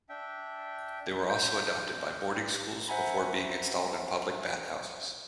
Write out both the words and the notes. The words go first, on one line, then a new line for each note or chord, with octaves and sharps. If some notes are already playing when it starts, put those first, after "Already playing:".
They were also adopted by boarding schools, before being installed in public bathhouses.
D4 E5 G5
G6
C5 E5 F#5 G#5 A#5 B5